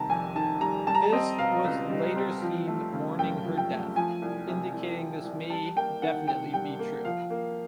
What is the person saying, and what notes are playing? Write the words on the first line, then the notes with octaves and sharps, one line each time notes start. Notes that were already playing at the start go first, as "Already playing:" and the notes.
Fisk was later seen mourning her death, indicating this may definitely be true.
Already playing: C3 D#3 G3 A5 A#5
F2 G#5
D#3 A5
G3 A#5
G3 A5
A#5
A5
C4 D#5
B2 F5
C#2
G3
C4
F3
A3
C#3
F#2 G5
F3
G5
A3
F3 G#5
C2
C3
C2
F3
C2
G3 A5
A#3 G5
D#3 F#5
C3 G5
G3 G5
A#3
F3 F5
A#3